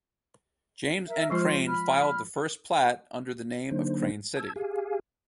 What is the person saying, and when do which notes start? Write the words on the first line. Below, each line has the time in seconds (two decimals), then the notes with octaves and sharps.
James M. Crain filed the first plat under the name of Crain City.
1.08 A#4 E5
1.30 F3 G#3 F4 C5 F6
1.68 B5 F6
3.71 D3 F#3 A#3 D4 D#4 C5
4.37 A5 E6 G#6
4.56 G4 G#4 F5 G#5